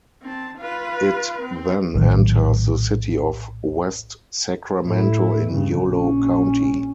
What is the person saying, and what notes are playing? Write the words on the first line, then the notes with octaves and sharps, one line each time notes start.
It then enters the city of West Sacramento in Yolo County.
C4 A5
F4 B4
C4
A#1 A2 D#3 F#3
A2 E4
G2 C#3
A#1 C#4